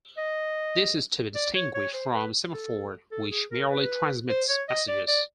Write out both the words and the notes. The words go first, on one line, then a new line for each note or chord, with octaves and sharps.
This is to be distinguished from "semaphore", which merely transmits messages.
D#5
D5
C#5
C#5
C5
B4
A4
A4
G#4
A#4
B4
C5
C#5
D#5
D5
D5